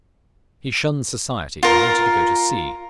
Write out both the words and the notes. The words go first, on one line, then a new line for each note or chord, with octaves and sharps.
He shunned society and wanted to go to sea.
F4 A#4